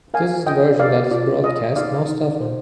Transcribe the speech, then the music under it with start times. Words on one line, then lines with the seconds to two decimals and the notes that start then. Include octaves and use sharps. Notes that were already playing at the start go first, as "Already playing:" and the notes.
This is the version that is broadcast most often.
0.14 A#4 F5 G#5
0.46 F4 D#5 G5
0.79 A#4 D5 F5
1.11 F4 D5
1.44 G#4 D#5
1.76 D#4 D5 F5
2.09 D#4
2.40 C5